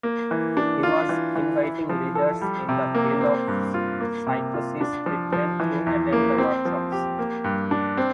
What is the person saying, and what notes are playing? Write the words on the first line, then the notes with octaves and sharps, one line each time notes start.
He was inviting leaders in the field of psychosis treatment to attend the workshops.
A#3
E3
D4
F4
E3
E3
E4
F3
A4
G3
C3
A#3
C4
G2
F4
A#3
C3
F4
D4
F3
F3
E3
E2
A#3
C4
F3
G4
A#3
G2
D4
C4